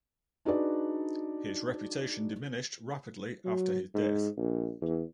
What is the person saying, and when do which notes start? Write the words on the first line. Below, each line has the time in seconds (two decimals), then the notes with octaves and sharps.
His reputation diminished rapidly after his death.
0.45 D4 D#4 F#4 G#4 B4 D5
3.45 F#3
3.94 G#2
4.37 A#1
4.82 E2